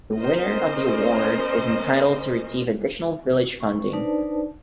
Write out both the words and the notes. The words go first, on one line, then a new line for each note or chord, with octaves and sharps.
The winner of the award is entitled to receive additional village funding.
B3 C#4 A#4 C5 D#5
C#6
D4 D#4 B4 C5 D5 A5